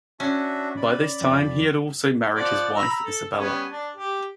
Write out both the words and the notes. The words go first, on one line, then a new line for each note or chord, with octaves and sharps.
By this time he had also married his wife Isabella.
C#4 D4 F#4 E5
D5 B5
F2
F3 D5 F#5
A#5 B5 E6
A4
G3 B3 C#4
D4
G4